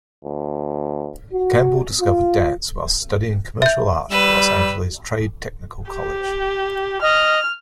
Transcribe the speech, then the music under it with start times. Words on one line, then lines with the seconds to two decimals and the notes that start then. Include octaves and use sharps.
Campbell discovered dance while studying commercial art at Los Angeles Trade-Technical College.
0.25 D2
1.33 F#4
2.01 F4
3.62 E5 G6
4.11 G3 B4 E6
5.91 G4
7.02 D#5 F6